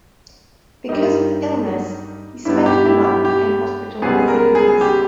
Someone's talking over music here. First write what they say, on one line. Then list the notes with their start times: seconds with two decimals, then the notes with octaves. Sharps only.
Because of illness, he spent the month in hospital facilities.
0.89 G2 G3 A#3 D#4
2.45 G2 G3 B3 E4
2.66 G4
2.85 E4
3.04 G4
3.25 G4
4.02 C#2 C#3 G3 B3 G#4
4.28 A#4
4.55 G#4
4.81 G4